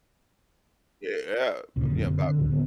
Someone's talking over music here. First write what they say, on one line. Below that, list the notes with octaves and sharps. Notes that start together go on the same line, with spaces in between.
Yeah, yeah. Yeah, about
D2 A#2 C#3
F#1 F#2 D3
C4
D3
A1 D2 D3
B3